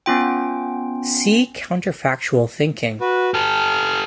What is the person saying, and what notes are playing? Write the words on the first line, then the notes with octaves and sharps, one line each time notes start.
See counterfactual thinking.
B3 C#4 F4 G5
F#4 B4
G4 A4 F6